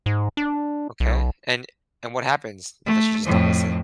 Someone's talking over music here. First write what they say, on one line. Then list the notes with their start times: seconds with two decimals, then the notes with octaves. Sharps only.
Okay, and and what happens? Does she just not listen?
0.06 G#2
0.37 D4
1.00 B1
2.85 A3
3.24 F2 A2